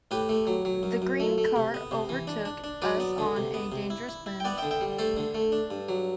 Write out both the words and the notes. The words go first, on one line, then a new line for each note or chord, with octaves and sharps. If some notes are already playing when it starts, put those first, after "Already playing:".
The green car overtook us on a dangerous bend.
A2 G4 B4
A3
F#3
F#3
F#2
F#2
A3
A3
C3
B3
C3
E3
D4
D4
D4
F#3 B4 D5
B3
D3
C3
B3
C3
E4
E4
E4
G5
B3 D5 F#5
E5 G5
D3
E5 G5
G3
A3 A4 C5
D3
A3
D4
G2
F#3